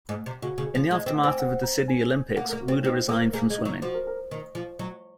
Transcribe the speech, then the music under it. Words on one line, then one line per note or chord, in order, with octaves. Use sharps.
In the aftermath of the Sydney Olympics Wouda resigned from swimming.
G#2
C3
C#3 F#4
C#3
G#4
F3
G#3 D#5
D#5
C4
F#5
C4 G#5
F#5
A#5
G#5
A#3 F#5
A#4
A#3
F#4
C4
C#4
C4 D#4
F4
A#3 A#4
A#4
A#3 G#4
G#3
D#4
F#3
F3 F#4
A#4
A#4
D#3
F3
F#3